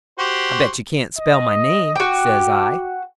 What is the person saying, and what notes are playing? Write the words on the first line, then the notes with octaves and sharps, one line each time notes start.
"I bet you can't spell my name," says I.
F#4 G4 C5
D#5
F#4 G5 D6